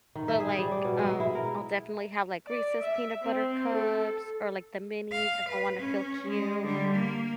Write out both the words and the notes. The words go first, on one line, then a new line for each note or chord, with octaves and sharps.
so, like, um, I'll definitely have, like, Reese's Peanut Butter Cups, or like the minis if I wanna feel cute,
D#3
E5
G#4
G3
D5
B2
G#3
E4
A#4
D5
E5
C4
A4
F5
B4
C#4
G#3
D3 G3
A#3